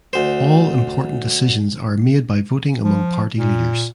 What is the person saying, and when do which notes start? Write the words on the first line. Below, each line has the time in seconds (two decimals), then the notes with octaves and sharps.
All important decisions are made by voting among party leaders.
0.13 D2 C5
2.84 F3
3.38 A#2